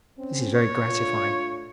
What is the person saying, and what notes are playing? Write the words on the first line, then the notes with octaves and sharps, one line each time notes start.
This is very gratifying.
C4 C#4
C#5
A3 D4 F4